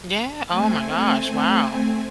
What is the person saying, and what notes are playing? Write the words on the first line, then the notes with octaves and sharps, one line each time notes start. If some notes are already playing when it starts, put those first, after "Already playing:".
Yeah, oh my gosh, wow.
A3 C4 G#5